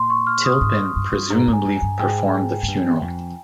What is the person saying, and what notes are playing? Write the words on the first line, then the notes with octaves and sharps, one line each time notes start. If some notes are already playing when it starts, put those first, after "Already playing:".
Tilpin presumably performed the funeral.
Already playing: A#2 C6
C#6
F6
D#6
G#2
G2
G2
G2
G#2 A#5
G#2
G#5
G2
G#5
G2
G#2 G5
G#2
G2
F2